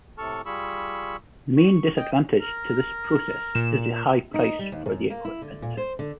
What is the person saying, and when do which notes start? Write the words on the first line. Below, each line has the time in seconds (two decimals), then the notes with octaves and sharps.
The main disadvantage to this process is the high price for the equipment.
0.18 A2 C3 A4 A5 C#6 F6
0.46 G3 F4 G#4 B5 C#6 E6
1.57 C#6
1.96 D#5 G5
2.40 A#4
3.55 A#2 E7
4.34 D#4
4.59 G3
4.72 D#2
4.86 F#2
5.10 A#3
5.25 E4
5.42 D3
5.62 A#2
5.77 C5
5.99 D3